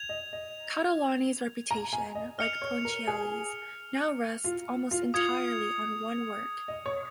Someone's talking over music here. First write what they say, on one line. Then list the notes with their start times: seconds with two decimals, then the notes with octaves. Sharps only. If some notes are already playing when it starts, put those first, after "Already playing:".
Catalani's reputation, like Ponchielli's, now rests almost entirely on one work.
Already playing: G#6 F7
0.09 D#5
0.33 D#5
1.71 A#5
1.93 G#5
2.15 D#5
2.38 D#5 F6 C#7 F7
2.62 C#5
2.85 A#4
3.07 G#4
4.44 F4
4.91 F4
5.14 F4 D#6 G#6 C#7 F7
6.68 D#5
6.86 C#5